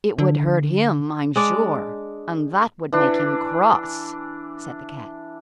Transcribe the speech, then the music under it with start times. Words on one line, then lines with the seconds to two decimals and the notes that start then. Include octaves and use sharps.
"It would hurt him, I'm sure, and that would make him cross," said the cat.
0.18 D3
1.36 G#3 D4 D5
2.93 E3 D4